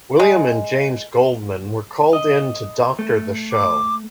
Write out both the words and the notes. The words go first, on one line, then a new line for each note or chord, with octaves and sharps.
William and James Goldman were called in to doctor the show.
G#3
D#5
A3
D6